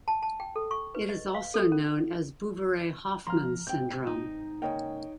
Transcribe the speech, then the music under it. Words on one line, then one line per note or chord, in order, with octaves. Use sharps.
It is also known as "Bouveret-Hoffmann syndrome".
A5
A5
G5
A4
C#6
B4
D#5
F5
A4
C#4
F3 A#5 C6 F6
G#2 C3 C4 G5 G6
D#4
G#2 C#3 A#3 C#5 D#5 G5